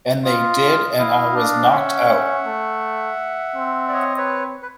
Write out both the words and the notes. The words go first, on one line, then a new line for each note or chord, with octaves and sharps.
And they did, and I was knocked out.
F4 D#5 F5
E4 D#5 F5
D4
G5
C#4 E5 F#5
A3
C4
D5
C#5 D#5
B4 C#5
B4